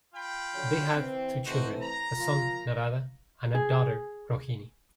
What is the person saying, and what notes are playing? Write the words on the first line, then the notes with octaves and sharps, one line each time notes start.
They had two children, a son, Narada, and daughter, Rohini.
F4 G5 B5
D3 F#3 C#5
E3 C4
E3 A3 C4 D#4 F#4 C5
A#5
A#2 F3 F4
G#4